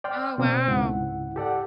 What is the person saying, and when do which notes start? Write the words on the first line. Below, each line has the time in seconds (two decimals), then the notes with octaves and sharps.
Oh, wow.
0.04 D5 G5 C6 F6
0.38 B2 C4
0.68 C#2 G#2 E4 F#5
1.36 G4 A4 D5 F#5